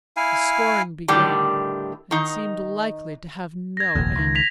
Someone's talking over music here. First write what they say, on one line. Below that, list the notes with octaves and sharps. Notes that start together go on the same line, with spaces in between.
The scoring began, and seemed likely to have no end.
E4 F5 G#5
A2 D3 D#3 G3 G4
D#3 D#4
G#6 A#6
F1 A#1 D#2
C#2 D#3
A#6 B6 F7